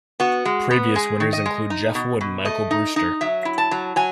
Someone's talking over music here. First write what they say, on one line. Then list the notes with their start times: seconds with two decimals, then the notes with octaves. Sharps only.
Previous winners include Geoff Wood and Michael Brewster.
0.20 B3 F#4
0.45 G#3
0.70 B3
0.95 G#3 G#4
1.20 D#3
1.33 D#5
1.46 G#3
1.70 D#4
1.95 B2
2.21 B2
2.45 A3 D#5
2.71 D#4
2.96 D#4
3.21 F#3 E5
3.45 E4
3.58 A5
3.71 F#3
3.96 F#3 G#5